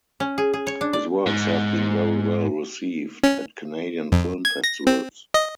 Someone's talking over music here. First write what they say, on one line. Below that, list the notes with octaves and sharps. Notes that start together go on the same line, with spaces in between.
His works have been very well received at Canadian film festivals.
C#4
G#4
G#4
C#5
D4
D5
G#2
C#4
F2
G#6
A#6
C4
D#5